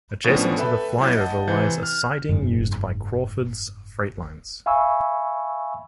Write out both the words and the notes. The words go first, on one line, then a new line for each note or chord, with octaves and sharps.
Adjacent to the flyover lies a siding used by Crawfords Freightlines.
A2 F3 B3 C#4 D4
A4 B4 E5 G5 B5
F#3 E4 D6 G6 A6
D#5 F#5 A5
C3 E3 G6
F6
F#1 G#2
E5 F5 G#5 B5 C#6 E6